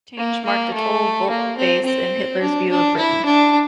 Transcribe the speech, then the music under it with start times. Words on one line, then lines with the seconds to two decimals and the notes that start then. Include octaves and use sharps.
This change marked a total volte-face in Hitler's view of Britain.
0.17 A#3
0.45 A#3
0.73 A3
1.29 A#3
1.57 C4
1.85 C4
2.41 D4
2.70 D4
2.98 E4
3.25 D4